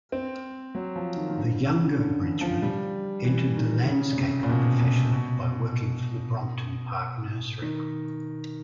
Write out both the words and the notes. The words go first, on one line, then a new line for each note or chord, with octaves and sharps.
The younger Bridgeman entered the landscaping profession by working for the Brompton Park Nursery.
C4
F#3
F3
D#3
D#3
D3
C#3
D3
E3
F3
G3
E3
D#3
C#3
C#3
C3
A#2
B2
C3
B2
D#3